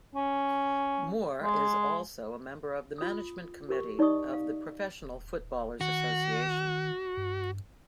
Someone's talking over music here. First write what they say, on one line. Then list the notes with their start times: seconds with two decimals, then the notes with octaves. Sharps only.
Moore is also a member of the management committee of the Professional Footballers' Association.
0.15 C#4
1.43 G#3
2.98 F4 D#6
3.69 G4 A#4 C#6
3.99 D#4 D5 D#5 C#6 D#6
4.33 F5
5.02 D#1
5.81 D#3 F#4
7.17 G2